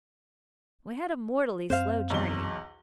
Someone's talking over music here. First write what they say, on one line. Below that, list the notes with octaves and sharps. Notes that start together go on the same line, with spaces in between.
We had a mortally slow journey.
F#2 C4 C5 F5
B1 E2 G7